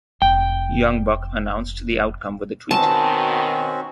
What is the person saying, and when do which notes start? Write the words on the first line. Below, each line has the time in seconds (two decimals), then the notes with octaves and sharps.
Young Buck announced the outcome with a Tweet.
0.22 F1 G5
2.71 B2 D#3 C4 C#4 F#4 A5